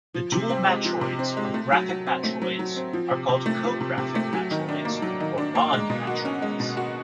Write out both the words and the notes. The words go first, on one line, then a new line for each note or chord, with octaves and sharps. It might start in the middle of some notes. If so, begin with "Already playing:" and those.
The dual matroids of graphic matroids are called co-graphic matroids or bond matroids.
F3
C3
C4
G#3
F3
C3
C4
G#3
A3
F#3
F#3
C4
A3
F#3
F#3
C4
F3
C3
C3
A3
F3
C3
C3
A3
F#3
D#3
D4
A#3
F#3
D#3
D4
A#3
G#3
B2
F#4
C#4
G#3
B2
F#4